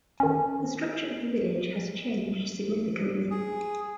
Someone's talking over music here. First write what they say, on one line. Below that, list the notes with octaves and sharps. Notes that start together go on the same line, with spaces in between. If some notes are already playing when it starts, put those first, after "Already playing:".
The structure of the village has changed significantly.
D#3 C#4
G#4